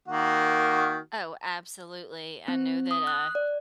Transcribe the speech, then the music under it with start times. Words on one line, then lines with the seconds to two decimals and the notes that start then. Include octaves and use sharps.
Oh, absolutely. I know that, uh,
0.08 D#3 A#3 F#4
2.48 C4
2.91 D#6
3.07 F#6
3.35 D5